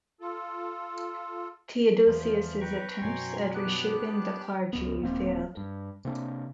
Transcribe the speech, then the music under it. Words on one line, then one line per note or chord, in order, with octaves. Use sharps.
Theodosius's attempts at reshaping the clergy failed.
F4 A4
E2 F3
B4 G5 A#5 C#6
F#2 B2 F#3 G#5 C6
B3 D4 G4 F#6
C#2 G2 B3
D#1 A#3 C4
G2
C3 A#3 C4 D4